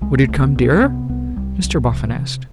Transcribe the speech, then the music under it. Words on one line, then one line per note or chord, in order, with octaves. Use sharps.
'Would it come dearer?' Mr Boffin asked.
C2 G#3
A3
C2
B3
C2
C4
C3 B3
C2 B3
C2 G3
C2 F#3
F3
C3
E3
C3